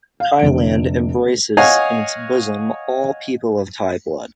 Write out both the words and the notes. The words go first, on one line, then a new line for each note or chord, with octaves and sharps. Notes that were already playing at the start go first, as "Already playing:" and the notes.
Thailand embraces in its bosom all people of Thai blood.
F5
F1 D3 D7
C#5 D#5 F5 F#5 G#5